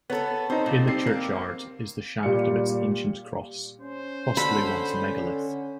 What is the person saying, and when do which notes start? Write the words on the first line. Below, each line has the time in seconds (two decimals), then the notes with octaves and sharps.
In the churchyard is the shaft of its ancient cross, possibly once a megalith.
0.10 B3 A4 B4 C#5
0.50 C4 D#4 C5
0.66 A#2
0.88 G3 C4 C7
1.06 A#3
2.23 A#2 G3 F5 C#7
3.81 C#4 C5
4.37 D3 F#5 B5